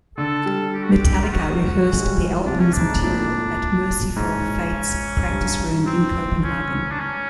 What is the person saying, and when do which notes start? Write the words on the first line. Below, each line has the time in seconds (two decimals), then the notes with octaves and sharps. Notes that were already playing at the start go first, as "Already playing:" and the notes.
Metallica rehearsed the album's material at Mercyful Fate's practice room in Copenhagen.
0.18 D3 A4
0.46 G3
0.75 G4
0.84 F#4
0.91 G4
1.23 F4
1.32 F#4
1.91 G#3
2.03 G3
2.17 F3
2.31 E3
2.45 C3 D4
2.60 C#4
2.74 D4
2.80 G#2
2.91 A2
3.02 A#2 D4
4.16 G#2 C#4
5.30 G2
5.86 C4
6.44 C#4
6.92 D4
7.00 C#4